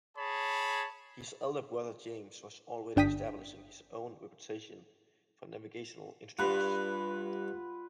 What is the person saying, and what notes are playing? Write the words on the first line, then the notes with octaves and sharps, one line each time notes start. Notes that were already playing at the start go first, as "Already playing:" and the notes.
His elder brother James was already establishing his own reputation for navigational instruments.
G#4 C#5 A5 B5
G1 D4 G5 D#6 B6
G2 F4 B4 F#5